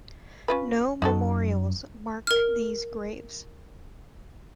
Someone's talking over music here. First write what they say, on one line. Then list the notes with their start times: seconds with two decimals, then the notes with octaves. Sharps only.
No memorials mark these graves.
0.48 C#4 F4 B4
1.02 F#2 D#4 F#4 A4
2.27 A#4 F6